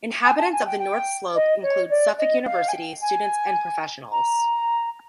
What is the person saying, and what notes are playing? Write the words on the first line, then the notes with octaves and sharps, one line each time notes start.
Inhabitants of the north slope include Suffolk University students and professionals.
G#5
A5
G#5
G5
G5
D#5
C#5
D5
D#5
F5
G#5
G5
G#5
A#5